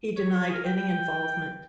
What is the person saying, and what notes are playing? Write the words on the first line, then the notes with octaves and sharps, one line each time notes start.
He denied any involvement.
C#5
G#4
A#4
G5
G5
G5